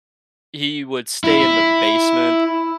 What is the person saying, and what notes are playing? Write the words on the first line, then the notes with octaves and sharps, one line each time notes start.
he would stay in the basement
E4